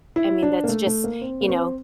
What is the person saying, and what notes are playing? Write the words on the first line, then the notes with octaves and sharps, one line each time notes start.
I mean that's just, you know,
E4
D4
A#3
A3
A3
A#3
C4
A#3
C4